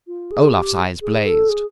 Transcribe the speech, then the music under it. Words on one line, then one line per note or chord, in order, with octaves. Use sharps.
Olaf's eyes blazed.
F4
G#4
G4
G#4
A4
G#4